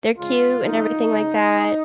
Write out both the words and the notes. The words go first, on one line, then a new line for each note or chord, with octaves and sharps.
They're cute and everything like that.
C#3 G#3 F4
C#3 F3 G#3 D#4
C#3 G#3